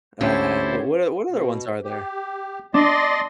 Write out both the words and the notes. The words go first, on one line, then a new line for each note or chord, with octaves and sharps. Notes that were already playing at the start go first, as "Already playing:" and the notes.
uh, w what o what other ones are there?
D2 C#4 E4 G4 A4 C5 C#5
B2
G4
D4 D5 D#5 C6